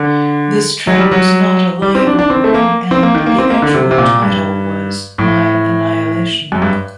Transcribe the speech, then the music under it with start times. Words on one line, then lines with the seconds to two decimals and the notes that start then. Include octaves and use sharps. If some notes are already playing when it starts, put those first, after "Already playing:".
This track was not a live recording, and the actual title was My Annihilation.
Already playing: D3
0.87 F#3
0.99 G3
1.11 F#3
1.82 G3
1.95 C4
2.07 D4
2.19 D4
2.30 C4
2.44 A3
2.54 A#3
2.91 C4
3.03 A#3
3.14 D#3
3.26 A#3
3.38 C4
3.50 A#3
3.62 D3
3.74 C3
3.91 C3
3.98 A#2
4.22 G2
5.18 A2
6.52 F#2
6.62 G2